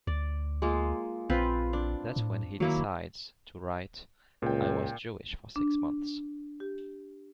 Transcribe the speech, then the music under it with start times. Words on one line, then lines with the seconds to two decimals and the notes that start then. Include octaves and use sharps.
That's when he decides to write, "I Was Jewish for Six Months".
0.07 D2 D5
0.62 G#3 A#3 F4
1.30 A#1 C4 F4 B4
1.73 D4
2.16 A2
2.60 D#3 F#3 A#3 E4
4.42 C#2 A#2 G5
5.56 D4
6.60 G4